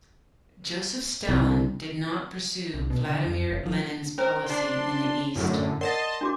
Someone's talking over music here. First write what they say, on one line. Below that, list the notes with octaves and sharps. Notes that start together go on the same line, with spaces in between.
Joseph Stalin did not pursue Vladimir Lenin's policy in the East.
C2
C2
B2
D3
F2
F#1
F3
C#4 A#4 C5 A#5
D4 C6
F#2 A2 D3
A#4 D5 D#5 F#5 A5 C6
D4 F#4 D6